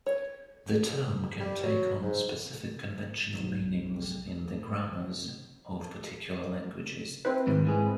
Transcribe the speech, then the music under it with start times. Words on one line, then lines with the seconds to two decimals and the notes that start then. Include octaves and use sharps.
The term can take on specific conventional meanings in the grammars of particular languages.
0.06 C#5
1.40 G3
1.63 F#3
2.02 G#2
3.39 B1
7.25 C4 E4 B4
7.47 G#2 D#3
7.64 G#2 G#3 G#4